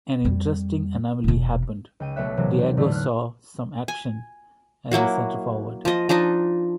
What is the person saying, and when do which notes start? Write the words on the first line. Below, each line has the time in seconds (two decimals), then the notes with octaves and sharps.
An interesting anomaly happened: Diego saw some action as a centre forward.
0.25 F2 G3
1.24 E1 B2
2.00 C#2 G5 D#7
2.16 B1 A3 C#5 E5 F#6
2.37 D#2 C3 E3 F#3 A3
2.59 G4
2.77 E2 A2 D3 G#3 A3
2.92 F6 F#6
3.88 G#5
4.92 F#3 A#3 E4 F#4
5.85 F3 D#5
6.09 F3 D4 D#4 D#5